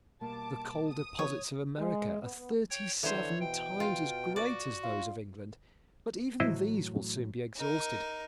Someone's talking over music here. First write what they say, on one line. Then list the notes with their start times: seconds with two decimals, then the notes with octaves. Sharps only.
The coal deposits of America are thirty-seven times as great as those of England, but even these will soon be exhausted.
0.21 B2 G3 A#3 A5 D6
0.88 D#6
1.19 E3 B3 F#4 C#5
1.78 G#3
2.22 B3
2.71 C#5 G5
3.03 D3 E3 C5 C#5
3.41 B2 G5
3.80 F4
4.36 F#4 D5
4.83 F4
6.40 A2 E3 F#3 E4 C5 D#5
7.56 D#4 A#4